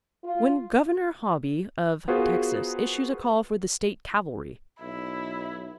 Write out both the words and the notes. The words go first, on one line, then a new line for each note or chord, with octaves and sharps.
When Governor Hobby of Texas issues a call for the state cavalry.
F4
B3 F4 F#4 G#4 A#4 C5
B1 E4